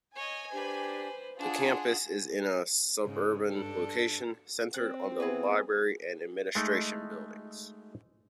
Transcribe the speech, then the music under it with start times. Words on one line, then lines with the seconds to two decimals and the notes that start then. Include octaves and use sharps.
The campus is in a suburban location, centred on the library and administration buildings.
0.16 C#5 D#5 G#5
0.52 D4 G4 B4 C5
1.39 D4 F4 G#4 F#5 G#5
3.03 G#2 C#3
3.48 G2 D4 A4
4.74 C4 F#6
5.20 E3 B3 G#4 B4
6.55 G#3 A3 D#4